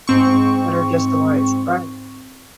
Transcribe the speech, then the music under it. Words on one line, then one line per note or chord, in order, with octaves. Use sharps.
That are just the whites. Right.
G#2 C4 C#6